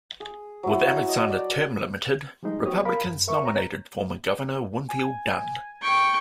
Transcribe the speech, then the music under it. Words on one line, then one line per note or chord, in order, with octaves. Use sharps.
With Alexander term-limited, Republicans nominated former Governor Winfield Dunn.
G#4
F#3 E4
D#5
D5
F3 G3 G#3 D#4 G#4
B3 F#4 G4 C#5 D#6
A#4 F5 B5
F#2
A#4 E5 C#6
C#5 A#5
G#5
G5 C#6